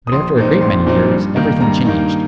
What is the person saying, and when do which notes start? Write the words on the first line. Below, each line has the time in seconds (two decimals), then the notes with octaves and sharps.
But after a great many years, everything changed.
0.07 D#6
0.12 A#1 C6
0.36 A#2 F3 C4 D#4
0.61 A#1 C6
0.87 A#2 F3 C4 D#4
1.11 G2
1.36 D#3 A#3 D#4
1.61 G2 A#5
1.86 D#3 A#3 D#4